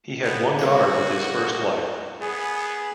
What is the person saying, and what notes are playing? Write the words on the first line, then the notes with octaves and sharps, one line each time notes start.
He had one daughter with his first wife.
B3
G3 A#3 F#4 C#5
B3 G#4